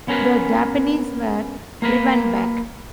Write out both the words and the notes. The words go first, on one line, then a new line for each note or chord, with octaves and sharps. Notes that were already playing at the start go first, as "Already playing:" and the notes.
The Japanese were driven back.
B3 C#4 A#4 B4
A#3 A#4 B4